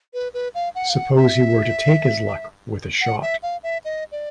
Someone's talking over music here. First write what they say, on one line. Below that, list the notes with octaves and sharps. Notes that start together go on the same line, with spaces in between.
Suppose he were to take his luck with a shot?
B4
B4
F5
F#5
F5
F#5
E5
F#5
E5
F5
E5
D#5
D5